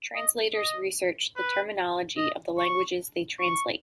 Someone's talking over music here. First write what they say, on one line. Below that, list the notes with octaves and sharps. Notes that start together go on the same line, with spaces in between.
Translators research the terminology of the languages they translate.
D#5
D#5
B4
D#5
C#6
C#6